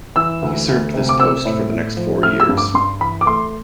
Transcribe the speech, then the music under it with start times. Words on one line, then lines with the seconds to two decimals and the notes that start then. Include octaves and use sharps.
He served this post for the next four years.
0.16 E3 E6
0.42 D2
0.68 D2
0.94 C3
1.09 D6
1.19 C4 E6
1.45 A2
1.72 A2
1.97 F3
2.23 A3 F6
2.40 E6
2.49 G2
2.57 D6
2.74 G2 C6
3.01 E3 B5
3.21 D6
3.26 A3 C6